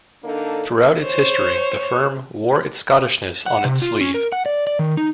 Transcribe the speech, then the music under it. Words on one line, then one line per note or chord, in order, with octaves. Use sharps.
Through its history, the firm wore its Scottishness on its sleeve.
D3 A#3 D4 D#4 A4
C5 C#5
F#5
C3
F4
C#4
A#4
F#5
D5
D5
D#3
D#4